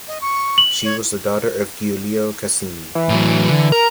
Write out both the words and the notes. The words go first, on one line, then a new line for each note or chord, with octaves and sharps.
She was the daughter of Giulio Caccini.
D#5
C#6
F#7
C#5
E3
A2 F#3
D3
A#4 A#5